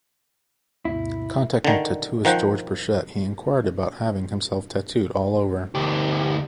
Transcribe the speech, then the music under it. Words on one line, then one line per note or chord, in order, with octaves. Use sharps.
Contacting tattooist George Burchett, he inquired about having himself "tattooed all over".
D2 G2 B2 E4
D3 D#3
D#3 F3 F#5 G5
D2 G4